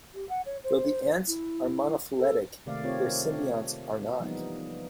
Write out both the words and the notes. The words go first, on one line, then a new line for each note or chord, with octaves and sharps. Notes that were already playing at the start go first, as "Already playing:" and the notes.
Though the ants are monophyletic, their symbionts are not.
G4
F#5
C#5
C5
E4
A4
C3 D#3 A3 A#3 D5 F5
C4 F4 G4 A#4 C#5
E3 F3 G3 A#3 B3 D#4